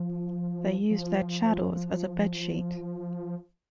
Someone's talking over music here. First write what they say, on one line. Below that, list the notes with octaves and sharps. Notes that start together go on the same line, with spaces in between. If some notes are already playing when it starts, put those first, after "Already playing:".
They use their chadors as a bed sheet.
Already playing: F3
F3